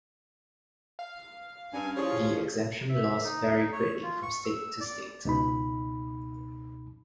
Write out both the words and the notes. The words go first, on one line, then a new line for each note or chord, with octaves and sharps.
The exemption laws vary greatly from state to state.
F5
G2 C#4 D5 G#5
F3 E4 F4 G4 G#4 C#5
E5
D#4
C#5
F4
C#6
E6
D5
C#2 B2 D#4 B5